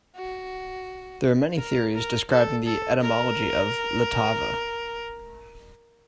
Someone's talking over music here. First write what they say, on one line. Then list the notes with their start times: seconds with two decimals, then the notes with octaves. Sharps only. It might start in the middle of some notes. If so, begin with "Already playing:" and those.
There are many theories describing etymology of "Ltava".
0.16 F#4
1.58 A#4
1.94 A#4
2.30 A4
2.66 A4
3.02 A#4